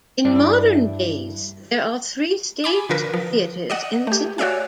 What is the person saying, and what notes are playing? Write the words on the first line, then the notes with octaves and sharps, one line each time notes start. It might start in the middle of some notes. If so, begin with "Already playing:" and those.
In modern days there are three stage theatres in the city.
G2 D4 E4 D5
G#5 B5 D6
D3 F3 A#4 B4
F3
D5 D#5 F#5
A3 G4
F#4 C#5 D5 E5 F5 G#5